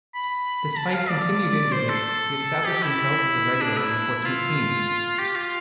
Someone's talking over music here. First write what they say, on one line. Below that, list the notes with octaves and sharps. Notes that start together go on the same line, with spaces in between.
Despite continued injuries, he established himself as a regular in the Portsmouth team.
B5
A5
F5
D5
C5
A4
G4
E4
D4
E4
F4
G4
F4